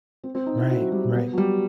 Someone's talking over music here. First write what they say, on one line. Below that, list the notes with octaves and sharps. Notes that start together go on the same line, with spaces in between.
Right, right.
C4
C4
D#4
E4
F#4
F#3
G3
B3
F#3
G3